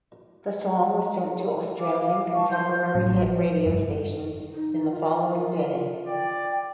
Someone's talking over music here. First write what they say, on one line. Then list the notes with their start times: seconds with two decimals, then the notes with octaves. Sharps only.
The song was sent to Australian contemporary hit radio stations in the following day.
1.80 F5 D6
2.01 F5
2.34 A5 C#6
2.49 C6 G6
2.95 A1 F#3 A3
3.21 F3
3.65 F1 G2
4.53 D#4
4.93 F4 A#4
6.07 D5 G5